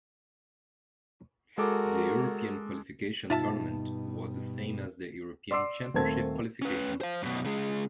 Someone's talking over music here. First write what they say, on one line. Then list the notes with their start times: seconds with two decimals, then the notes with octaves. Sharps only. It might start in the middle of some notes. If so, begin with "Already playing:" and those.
The European qualification tournament was the same as the European Championship Qualification.
1.58 G#3 F#4 A4 A#4 D6
3.30 G2 B2 D#4 F4 E5 A5
5.51 D5 C6 D6 E6 C7
5.94 D#1 A3 C4 A#4 A5 G#6
6.62 C#4 B4
7.01 C5 F5
7.23 F#2 B2
7.44 C#3 G#3